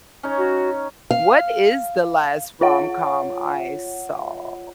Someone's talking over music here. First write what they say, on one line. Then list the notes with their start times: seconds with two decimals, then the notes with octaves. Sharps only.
What is the last rom-com I saw,
0.23 C#4 D#4 C#5
0.38 F#4
1.11 F5
2.61 F4 C#5 F#5